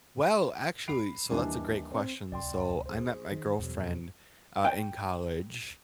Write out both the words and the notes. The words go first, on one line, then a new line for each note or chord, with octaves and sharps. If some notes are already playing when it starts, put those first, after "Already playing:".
Well, actually, so that's a great question. So, I met my girlfriend, uh, in college
B5 C7 D7 F7
D#2 E3 G3 D4 G#5
C4
D1 C2 D5 G5 C6
G#4 C5
D#3
E2 B2 F#3
G5